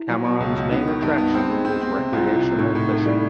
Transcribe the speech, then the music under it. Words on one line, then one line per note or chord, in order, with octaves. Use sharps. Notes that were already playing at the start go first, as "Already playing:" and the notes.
Cameron's main attraction is recreational fishing.
Already playing: E4
F#3
B2
C#2
C#2
B3 D#4
D#3 D#4
G2
B3
C4
G#3
C4
C4
C3
C2 F4
C3 E4
C3
A2 D#4
A2
A2 D#4
G3 E4